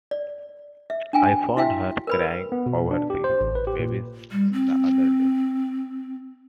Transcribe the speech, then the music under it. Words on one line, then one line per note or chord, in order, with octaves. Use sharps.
I found her crying over the babies the other day.
D5
E5
D4 G5 G#5
E4 F#4 E5 F5 G5
A#4 B4 B5
B3
B2
D4
G4
C5
A1
B4
G4
A#2
G3
C4